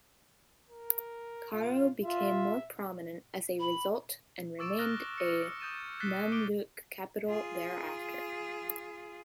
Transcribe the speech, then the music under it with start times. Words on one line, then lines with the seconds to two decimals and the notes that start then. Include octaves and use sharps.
Cairo became more prominent as a result and remained a Mamluk capital thereafter.
0.70 A#4
1.52 F4
2.05 F4 E5
3.60 B5
4.59 C#6 D6 E6 A6 D7 E7
4.78 D#6 F6 F#6 A6 A#6 G7
5.18 A#6 C#7
5.60 D#6 G6 A6 D#7 E7
6.00 F#6 G6 A6 B6 C7 G7
6.32 D6 D7 G7
7.28 F4 G#4